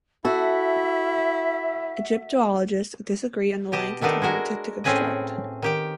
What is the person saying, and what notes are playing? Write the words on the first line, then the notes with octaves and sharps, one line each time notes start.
Egyptologists disagree on the length of time it took to construct.
E4 F#4 A4 E5
B2 G4 D#5 A5
D#3 A3 B3 D4 D#4
G#3 E4 F#4 A#4
A2 C4 C#4 G#4 B4 D#5
D#3 G4 G5